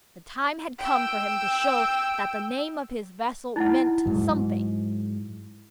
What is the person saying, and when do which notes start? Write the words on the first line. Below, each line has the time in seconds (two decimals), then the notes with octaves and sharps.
The time had come for him to show that the name of his vessel meant something.
0.79 G5 E6
3.56 D#4 E4 F#5
4.06 G#2 F#3